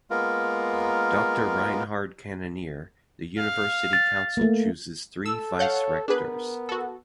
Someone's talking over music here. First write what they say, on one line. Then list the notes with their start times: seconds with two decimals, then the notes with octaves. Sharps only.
Doctor Reinhard Kannonier, the University Council chooses three Vice-Rectors.
0.10 G#3 A#3 B3 F4 A#4
3.38 F5
3.93 A6
4.37 A3 A#3
5.26 A4 E6
5.59 C#5 F5 F#5 G6
6.08 B3 D4 G#4 A#4 B4
6.69 F#4 A4